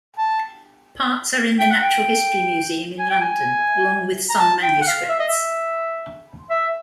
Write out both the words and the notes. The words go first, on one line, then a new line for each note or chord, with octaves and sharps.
Parts are in the Natural History Museum in London along with some manuscripts.
A5
G5
F#5
G5
G#5
G5
G#5
A#5
A5
G5
F#5
F5
E5
D#5
E5
E5